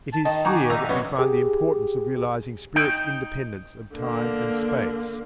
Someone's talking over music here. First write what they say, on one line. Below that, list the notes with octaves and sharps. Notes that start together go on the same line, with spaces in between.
It is here that we find the importance of realizing spirit's independence of time and space.
A5
D#3 D#5 A5
D#4 F#4 G#5 A#5 C#6 D6
A#1 D#4 E5 A#5
F#2 B3 C#5
G4 G#4
D#4 G5
D3 A#3